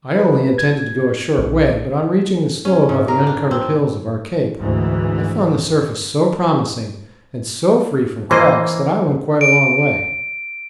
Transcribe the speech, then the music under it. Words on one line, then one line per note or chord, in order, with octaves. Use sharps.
I only intended to go a short way, but on reaching the snow above the uncovered hills of our Cape I found the surface so promising and so free from cracks that I went quite a long way.
B4
G#6
B1
C#4
G#2
A#4
D4
C4
D2 G#2 E3
E3 A#3 C5 D#5
D7